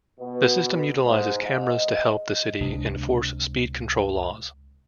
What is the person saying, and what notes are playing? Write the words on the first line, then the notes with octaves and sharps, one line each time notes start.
The system utilizes cameras to help the city enforce speed control laws.
B2
G#2
D#5
C#2 C3 G#3 D4